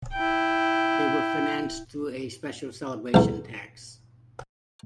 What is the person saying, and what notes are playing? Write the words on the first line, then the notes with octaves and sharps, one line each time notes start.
They were financed through a special celebration tax.
E4 G5
B1 E2